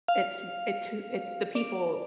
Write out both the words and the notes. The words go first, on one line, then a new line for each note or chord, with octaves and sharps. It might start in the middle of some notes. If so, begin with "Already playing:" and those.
it's w it's who it's the people
F5
D5